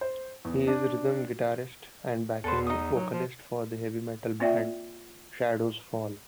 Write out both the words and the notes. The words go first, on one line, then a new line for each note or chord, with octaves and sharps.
He is rhythm guitarist and backing vocalist for the heavy metal band Shadows Fall.
C5
E2
D4
E2 A4 B4 C5
D#4 D#6
F#3
F3
A#3 C4 F4 D5 E5 G5